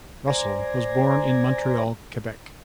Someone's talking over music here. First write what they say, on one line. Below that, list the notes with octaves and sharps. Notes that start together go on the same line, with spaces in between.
Russel was born in Montreal, Quebec.
C5 D5 G#5 A#5